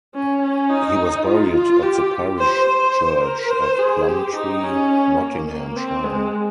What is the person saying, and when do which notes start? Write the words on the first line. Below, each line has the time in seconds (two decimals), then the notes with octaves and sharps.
He was buried at the parish church at Plumtree, Nottinghamshire.
0.14 C#4
0.42 C#4
0.70 D#4
1.27 F4
1.54 F4
1.83 G4
2.39 C5
2.68 C5
3.24 A#4
3.51 C5
3.79 G#4
4.07 G4
4.36 D#4
4.63 C#4
5.19 A#3
5.47 A#3
5.76 C4
6.04 G#3